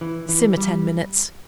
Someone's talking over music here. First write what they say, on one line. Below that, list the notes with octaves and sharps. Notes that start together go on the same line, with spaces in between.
Simmer ten minutes.
E3
E3
G3